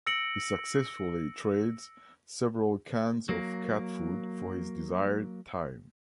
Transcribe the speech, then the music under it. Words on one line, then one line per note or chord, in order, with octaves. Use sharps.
He successfully trades several cans of cat food for his desired time.
E6 A#6 C#7 D7 F#7
F#3 A#3